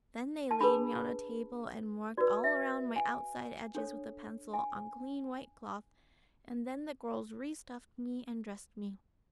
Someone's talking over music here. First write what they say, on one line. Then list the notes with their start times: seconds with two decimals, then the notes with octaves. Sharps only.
Then they laid me on a table and marked all around my outside edges with a pencil on clean white cloth, and then the girls re-stuffed me and dressed me.
0.51 A5
0.60 D4 G#4 B4 B5
2.18 F#4 B4 D5
2.44 E5
2.96 G#5
3.75 D4 A4 C#5
4.54 G#5